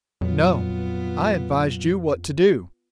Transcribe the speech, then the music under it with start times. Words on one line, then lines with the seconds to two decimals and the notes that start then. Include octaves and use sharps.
"No, I advised you what to do!"
0.21 F2 A#2 F#3 B3 F4